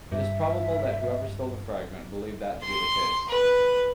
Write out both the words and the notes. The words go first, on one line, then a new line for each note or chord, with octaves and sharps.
It is probable that whoever stole the fragment believed that to be the case.
G2 E5
C6
B4